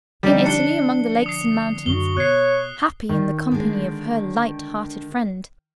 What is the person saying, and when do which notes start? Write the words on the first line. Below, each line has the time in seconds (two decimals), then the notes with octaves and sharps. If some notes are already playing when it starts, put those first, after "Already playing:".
In Italy, among the lake s and mountains, happy in the company of her light-hearted friend.
0.23 D3 F3 G3 D#4
0.45 D4 C#7 G7
1.26 D#6 C7
1.86 F#2 D3 F#4 G7
2.17 B2 C#5 F#6 C7
3.09 D#3
3.51 D3 G#3